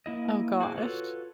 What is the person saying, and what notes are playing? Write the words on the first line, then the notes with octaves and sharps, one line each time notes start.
Oh, gosh.
A#3 E4 D#5
F#4 G#4 C5 D6
F4 F#4 A4 B4 C#5